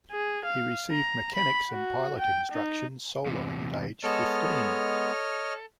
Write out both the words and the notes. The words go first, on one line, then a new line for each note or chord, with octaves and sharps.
He received mechanics and pilot instruction, soloing at age fifteen.
G#4
F5
A#5
B5
F#4
G5
D#4
E2 C3
G#3 B3 A4 C#5 D#5 F6